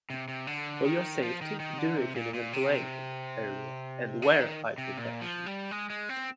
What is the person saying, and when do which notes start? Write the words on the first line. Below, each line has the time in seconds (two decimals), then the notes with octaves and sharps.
For your safety, do it in a ventilated area and wear eye protection.
0.10 C3
0.28 C3
0.47 D3
0.85 D#3
1.22 F3
1.41 D#3
1.60 D#3
1.78 D3
1.97 C3
2.15 A#2
2.34 A#2
2.53 C3
4.22 D3
4.41 D#3
4.78 C3
4.97 A#2
5.21 F3
5.46 G3
5.71 G#3
5.90 G#3
6.09 C4